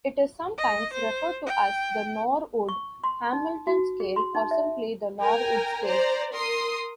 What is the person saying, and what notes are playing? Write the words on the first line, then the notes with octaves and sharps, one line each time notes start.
It is sometimes referred to as the Norwood-Hamilton scale or simply the Norwood scale.
D#5
C5
G5
C#6
C6
D#4
F#4
G#4
C6
D#4
E5
A#4 G5 G#5 A#5
C5 D5 A#5
A#4 C6 D#6